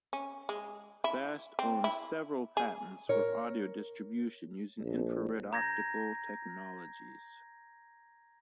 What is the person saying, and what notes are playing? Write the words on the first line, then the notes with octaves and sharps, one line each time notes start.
Fast owns several patents for audio distribution using infrared optical technologies.
C#4
G#3
E4
C4
E4
G#4
A#4 C#5
A#1
A#5 G6 G#6 A#6